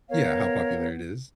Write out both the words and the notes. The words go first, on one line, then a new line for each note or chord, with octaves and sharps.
Yeah, how popular it is.
B3 A#4 C#5 F5